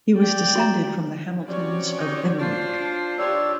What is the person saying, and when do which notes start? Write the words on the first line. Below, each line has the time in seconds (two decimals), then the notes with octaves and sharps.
He was descended from the Hamiltons of Innerwick.
0.17 D5 G5
0.56 F#4 A#5
1.47 C3 C#4 F#4 C#5 D5
1.98 D#4
2.39 D4 F4 C5
3.19 D#2 D4 F4 G4 C#5 D5 E6